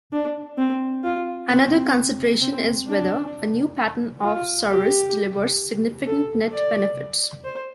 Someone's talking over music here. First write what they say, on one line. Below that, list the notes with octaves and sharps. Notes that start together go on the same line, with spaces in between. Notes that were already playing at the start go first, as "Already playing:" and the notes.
Another consideration is whether a new pattern of service delivers significant net benefits.
D4
C4
F4
C4
C4
D4
F4
G4
A4
D5
C5